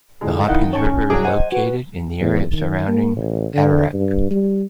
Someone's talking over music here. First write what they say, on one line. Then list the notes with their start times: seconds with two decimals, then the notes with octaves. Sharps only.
The Hopkins River is located in the area surrounding Ararat.
0.21 F2 A2 D3 G#3
0.48 D#3 E4 D#5 F5 F#5
0.73 C#4 C#5 A5 C#6
1.10 C2 F#3 G#4 D6
1.25 C5 D#5 F#5 G#5
1.52 F#4 B4
2.21 E2
2.53 D#3
2.87 A#3
3.17 A1
3.54 D3
3.94 G2
4.31 G3